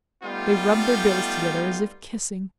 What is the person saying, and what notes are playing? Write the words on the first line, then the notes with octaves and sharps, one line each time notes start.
They rubbed their bills together as if kissing.
G3 A3 B3 D#4 F4